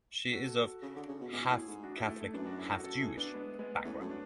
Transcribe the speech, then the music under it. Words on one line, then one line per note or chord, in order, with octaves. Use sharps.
She is of "half-Catholic, half-Jewish" background.
F#4 A4
C#3
D3
C#3
B2
B2 E4 G#4
A2
G#2
D4 F#4
E4 G#4
A3
A3
F#2 B3 D4
D4 F#4
E4 G#4
F#4 A4
F#4 A4
E4 G#4
B3 D4
G#3 B3
G#3 B3
B3
E2 A3 C#4
F#2
B3 D4